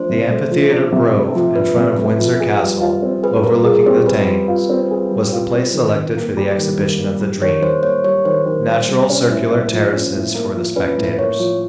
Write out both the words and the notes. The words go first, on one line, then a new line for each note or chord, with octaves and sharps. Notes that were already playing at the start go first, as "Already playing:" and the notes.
The amphitheater grove in front of Windsor Castle, overlooking the Thames, was the place selected for the exhibition of the "Dream." Natural circular terraces for the spectators.
Already playing: F3 A3 D4 C5
C3
A3
F3
D4
C3
A3
F3
D4 B4
C3
A3
F3
G#4
G3
F4
C4
G#4 B4
G3 A#4
F4 G#4
C4 G4
G#4 B4
G3
F4
C4
G#4
G3
F4
C4
D#3
D#3
A#3
G3
D#3
D#3
A#3
G3
D#3 C#5
D#3 C5
A#3 C#5
G3 C#5
D#3 C5
D#3
A#3
G3
C#4
A2
A#3
F3
C#4
A2
A#3
F3
C#4 B4
A2
A#3 C#5
F3